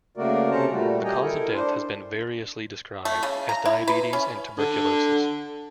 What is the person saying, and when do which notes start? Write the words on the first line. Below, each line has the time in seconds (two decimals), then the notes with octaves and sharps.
The cause of death has been variously described as diabetes and tuberculosis.
0.17 C#3 A3 A#3 F#4 A#4 D5
0.51 C3 C#4 A4 C5 A5 A#5
0.71 A#2 G3 A3 F#4
1.04 G4 D#5 G5 G#5 A#5
1.22 E4 A4 A#4
1.54 D4 C5
3.05 A3
3.23 C#3
3.49 A#5
3.65 E4
3.88 B4
4.13 C#4
4.58 D3